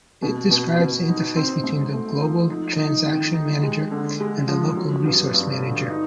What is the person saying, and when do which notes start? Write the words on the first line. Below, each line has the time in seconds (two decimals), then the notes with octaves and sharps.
It describes the interface between the global transaction manager and the local resource manager.
0.22 B2
0.51 B2
0.79 B2
1.08 D#4
1.36 C4
1.64 G#2
1.93 A3
2.21 F3
2.50 D#4
2.78 D#4
3.06 D#3
3.34 D#4
3.63 G#3
3.91 D3
4.20 G#3
4.48 F3
4.76 F#3
5.05 G2
5.33 G2
5.62 D3
5.90 D#4